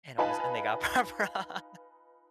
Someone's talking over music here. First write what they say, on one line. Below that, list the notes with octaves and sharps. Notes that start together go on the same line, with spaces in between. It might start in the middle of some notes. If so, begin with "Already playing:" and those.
and it was and they got Pop Rocks!
D#4 F4 B4 G#5 A5 B5